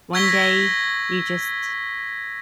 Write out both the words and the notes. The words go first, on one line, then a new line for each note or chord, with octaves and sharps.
one day, you just
C#6 E6 G#6 A#6 B6 G7